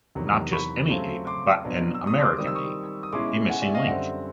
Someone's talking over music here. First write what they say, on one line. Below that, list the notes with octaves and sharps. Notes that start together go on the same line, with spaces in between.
Not just any Ape, but an 'American' Ape-a 'Missing Link'!
E2 C3 D#3 F#3
B5 C#6
C#3 F#3 A3 C4
C6 D6
B2 F#3 B3 D4
E6
D#6
C6 D6
D#3 G3 C4 D#6
E6
C#6 D#6
D#6
B2 G#3 C#4 E4 C6 D6
F#5 G#5
D5 E5
D#5 F5
F#2 D3 G3 C4 E5 F#5